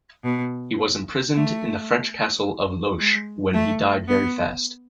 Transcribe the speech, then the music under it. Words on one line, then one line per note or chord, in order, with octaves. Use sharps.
He was imprisoned in the French castle of Loches when he died very fast.
B2
A3
G#3
A3
B3